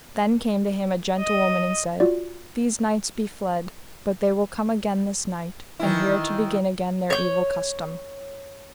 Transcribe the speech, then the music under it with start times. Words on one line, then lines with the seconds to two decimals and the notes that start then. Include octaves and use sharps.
Then came to him a gentlewoman and said: These knights be fled, but they will come again this night, and here to begin again their evil custom.
1.19 D#5
2.00 F4 F#4 D5
5.80 D#3 E3 E4
7.10 C#5 G6